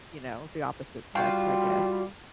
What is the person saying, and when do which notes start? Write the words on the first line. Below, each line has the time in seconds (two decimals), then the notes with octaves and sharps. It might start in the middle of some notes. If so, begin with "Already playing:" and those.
you know, the opposite sex, I guess.
1.15 G3 F4 F#4 G5